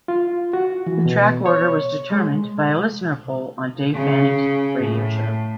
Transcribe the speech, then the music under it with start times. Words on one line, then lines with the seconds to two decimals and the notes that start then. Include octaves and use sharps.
The track order was determined by a listener poll on Dave Fanning's radio show.
0.08 F4
0.53 F#4
0.86 E3
1.06 B2
1.46 C#5
2.12 G#3
3.95 C#3
4.83 A2